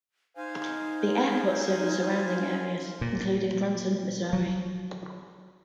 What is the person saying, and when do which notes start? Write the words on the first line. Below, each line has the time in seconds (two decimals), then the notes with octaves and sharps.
The airport serves the surrounding areas including Branson, Missouri.
0.37 D#4 C5 F5 G#5
3.01 A#2
4.33 F#3